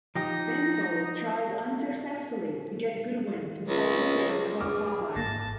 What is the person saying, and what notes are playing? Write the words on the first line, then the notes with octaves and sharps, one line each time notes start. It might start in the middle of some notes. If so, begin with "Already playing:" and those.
Benbow tries unsuccessfully to get Goodwin to tell the court about Popeye.
F3 D#4 G4 A#6
C#2
G#4 D6 F6
G#1 A#3 A5 A#6